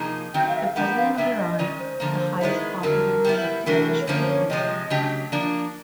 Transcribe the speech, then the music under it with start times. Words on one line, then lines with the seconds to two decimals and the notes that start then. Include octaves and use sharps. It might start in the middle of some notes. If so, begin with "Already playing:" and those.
The President of Iran is the highest popularly elected official in the country.
Already playing: C3 F3 A#3 D#4 G#4
0.34 D#3 F#3 A3 C4 G5
0.48 F5
0.56 E5
0.62 F5
0.75 F3 A#3 D4 G4 B4 F#5
0.97 F5
1.17 A#2 G3 B3 D4 E5
1.38 D#5
1.58 D#3 G#3 C#4 D5
1.79 C5
2.00 D3 F3 A#3
2.41 D#3 G#3 B3 E4
2.83 F2 D3 F#3 A#4
3.25 G3 B3 E4
3.66 C3 E3 A3 D4 F#4 A#4
3.86 A#4
4.01 C#5
4.07 F#2 D3 F3 A#3 C#4 C5
4.29 C#5
4.49 C3 F3 G#3 D#5
4.90 C#3 F#3 A3 D4 G4
5.32 F3 A#3 D4 D5